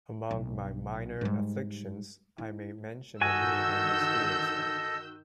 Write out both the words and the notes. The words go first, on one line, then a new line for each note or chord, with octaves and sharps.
Among my minor afflictions, I may mention a new and mysterious one.
B1
G#2 G3
E4
G2 D#3 F#4 A4 D#5 G#5 E6 G6